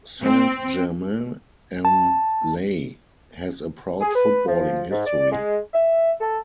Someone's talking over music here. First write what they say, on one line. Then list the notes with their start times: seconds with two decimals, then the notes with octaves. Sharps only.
Saint-Germain-en-Laye has a proud footballing history.
0.22 C4
1.85 A5
4.00 G#4
4.14 B4
4.46 F3
4.90 G#2
5.05 D5
5.30 G#3
5.73 E5
6.20 A4